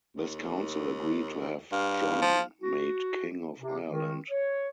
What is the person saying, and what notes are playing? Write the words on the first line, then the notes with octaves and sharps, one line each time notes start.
This council agreed to have John made King of Ireland.
D#2
G2 F5
F3
F#4
C3
D#3
C#5